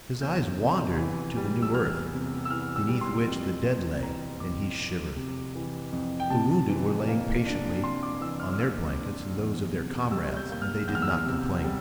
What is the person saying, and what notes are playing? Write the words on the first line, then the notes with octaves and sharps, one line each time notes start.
His eyes wandered to the new earth, beneath which the dead lay, and he shivered. The wounded were lying patiently on their blankets and those of their comrades and they did not complain.
E2 G6
C3
E3
G3
E6
E2 F6
C3
E6
E3 F6
E6
G3
C6
F2
C3
E3 A#5
F2 D6
F2
C3
E3
F2
G5
C3 A5
E3
A#3
D4
C3 C6
D6
E3 E6
F6
F6
A#3 E6
D4
E2
C3
G3 E6
G6
A#3 G6
F6
E2 G6
F6
E6
F6
C3
G3